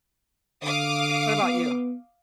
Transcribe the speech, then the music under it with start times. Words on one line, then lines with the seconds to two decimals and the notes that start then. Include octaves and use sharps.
what about you?
0.63 D3 F5 D6 D#6
1.42 B3